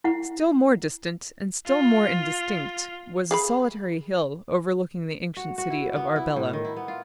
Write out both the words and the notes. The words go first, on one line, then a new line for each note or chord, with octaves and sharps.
Still more distant, and still more indistinct, was a solitary hill overlooking the ancient city of Arbela.
E4 F#5
F4
G#4 F5 B5
F#4
F#4
E4
B3
E4
A2
D#3
E4
B3
F4